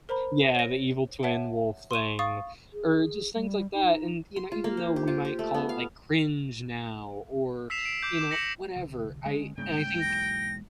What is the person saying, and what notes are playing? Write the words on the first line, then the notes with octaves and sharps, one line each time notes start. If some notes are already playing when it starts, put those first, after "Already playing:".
Yeah, the evil twin wolf thing, or just things like that, and, you know, even though we might call it, like, "cringe" now or, you know, whatever, I and I think
A#4 C5 A#5 B5
C#5 A#6
C#5 E5 F#5 A5
C6 C#6 D#7 E7
F5 C#6 D#6 A6
G#4
G3
D#4
C6
F4
A#3
C5
G4
F4
G4
A3
B3
F5
E6 B6 C7 E7 F7
C7 D7
D6 G6
D6 E7
A#6 B6 C#7 F#7
C2 D3
D3 G#3 C#4
G#2 C#3 G3 G#3 A#3 G5
B1 E2 A#6